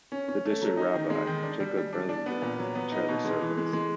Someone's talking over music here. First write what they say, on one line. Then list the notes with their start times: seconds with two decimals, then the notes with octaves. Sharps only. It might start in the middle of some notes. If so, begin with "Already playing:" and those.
The district rabbi, Jacob Berlinger, chair the service.
0.12 C#4
0.28 C#4
0.45 A3
0.62 F#3
0.77 D#4
0.94 D#3
1.10 G#3
1.27 D#3
1.43 D4
1.60 G3
1.77 G3
1.93 D4
2.09 D4
2.26 B3
2.42 A#2
2.59 F#3
2.75 B3
2.92 D#4
3.09 B2
3.25 G#3
3.41 E3
3.57 G#3
3.73 G#3